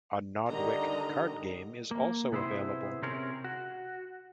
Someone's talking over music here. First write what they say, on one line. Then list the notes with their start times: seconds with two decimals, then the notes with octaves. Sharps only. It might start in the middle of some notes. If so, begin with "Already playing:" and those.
A "Nodwick" card game is also available.
0.48 D3 D#3 G3 D#5 A#5
1.91 A#3
2.32 C3 B3 E4 G#4 C5
3.02 C3 C4 C#4 G#4 A#4
3.44 F#4